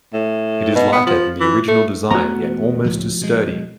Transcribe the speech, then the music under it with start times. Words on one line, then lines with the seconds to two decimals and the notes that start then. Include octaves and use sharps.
It is lighter than the original design yet almost as sturdy.
0.14 A2
0.75 B2
0.92 B3
1.06 F3
1.40 E3
1.68 A3
2.11 E1 A3 B3 F#4 A#5
2.84 C#2 A2 F3
3.21 B2 G#3